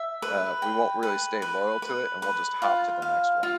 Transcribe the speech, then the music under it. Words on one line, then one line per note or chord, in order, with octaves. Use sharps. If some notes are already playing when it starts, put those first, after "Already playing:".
uh, we won't really stay loyal to it and we'll just hop to the next one,
Already playing: E5
B4
G5
B4
B4
B4
B4
F4
F5
F4